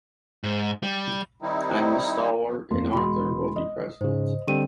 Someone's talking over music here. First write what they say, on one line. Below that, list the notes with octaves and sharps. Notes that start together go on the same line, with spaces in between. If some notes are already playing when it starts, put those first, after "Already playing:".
I am a Stalwart and Arthur will be President.
G#2
G3
D#3 G3 C4 D#4 E4
F2
F2 A#3 C6
E1 G#3 F#4 B5 C6
D#5
G#2 C#3 C5
D3 G3 C4 G4 D#7